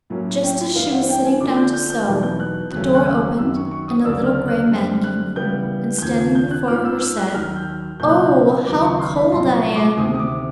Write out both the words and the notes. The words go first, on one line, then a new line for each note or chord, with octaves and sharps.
Just as she was sitting down to sew, the door opened and a little gray man came in, and, standing before her, said: 'Oh! how cold I am!'
A2 F#3 A#3 C#4
G5
G2 E3 G3 B3 E4 F5
F#5
G5
G#5
D3 F3 A#3 D4 D6
G6
G6
G6
E2 B2 F#3 B3 D#4
G6
F#6
D#2 C#3 F#3 A3 C#4 F#6
F#6
F#2 D#3 F#3 E6
C#6
C#6
D#6
D2 C#3 F#3 B3 D4 E6
F6
F#6
F#2 D3 G3 C4
F#6
C#3 E3 G3 B3 G6
G6
D#2 C#3 F3 G#6
G#6
G6
F#6
G#2 F3 A#3 C#4 F6
E6
E6
F#6
D#2 D#3 F#3 F6
G6
C#2 B2 F#3 A#3 G6
F#6
G6
D#2 C#3 F#3 B3 D6
C#6
C6
B5
C2 A#2 F#3 C6
C#6
D6
D2 C3 D#3 D#6
D#6
D6